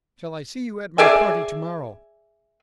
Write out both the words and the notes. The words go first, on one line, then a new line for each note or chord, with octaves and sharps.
"Shall I see you at my party tomorrow?"
G#4 D5 E5 G#5